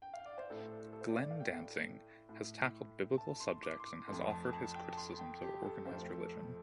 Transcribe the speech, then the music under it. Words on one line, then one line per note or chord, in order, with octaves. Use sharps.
Glenn Danzig has tackled Biblical subjects and has offered his criticisms of organised religion.
G5
F5
D5
C5
A2 A3 A4
A4
A4
C5
D5
D5
F5
G5
A2 A3
A5
C6
D6
C6
D6
F2 F3 A3 C6
A5
A5
G5
A5
C6
G5
G4
A4
F2 F3 A3 C5
A4